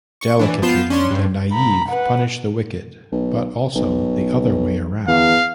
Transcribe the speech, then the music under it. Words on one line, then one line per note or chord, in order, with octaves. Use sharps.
Delicately, the naive punish the wicked, but also the other way around.
C#6
E3 D4
F3 B3 F4 G6 C7 E7
C#4 D4 C6
G2
A#5 B5
B4 F#5
B1
B1
E2 F5